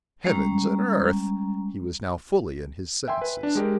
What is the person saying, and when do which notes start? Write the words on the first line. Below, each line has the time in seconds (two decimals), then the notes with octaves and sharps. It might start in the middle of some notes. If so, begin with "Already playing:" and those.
"Heavens and earth!" He was now fully in his senses.
0.24 G3 G#3 C#4 A#5
3.08 E5 G5 G#5 C6
3.22 B4
3.43 D4
3.55 G#3 G4 A#4